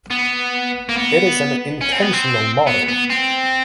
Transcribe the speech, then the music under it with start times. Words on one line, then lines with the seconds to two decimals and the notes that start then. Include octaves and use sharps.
It is an intensional model.
0.11 B3
0.89 A#3
0.96 B3
1.81 C#4
1.92 C4
2.02 B3
2.13 C4
2.67 B3
2.88 B3
3.10 C4